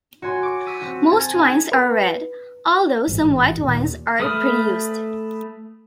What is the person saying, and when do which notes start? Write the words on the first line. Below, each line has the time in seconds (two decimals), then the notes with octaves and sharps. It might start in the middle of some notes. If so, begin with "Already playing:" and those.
Most wines are red, although some white wines are produced.
0.22 F#4 C#5 G#5 C6
0.42 C#6 D6
0.66 E6 B6 D#7
0.81 C4 F#4
1.12 C5 G#5 A5 A6
1.33 D#4 G#4
1.72 B4
3.07 A1 G#2 E3
3.60 D#2 A#2
4.20 A3 B4 D#6 F6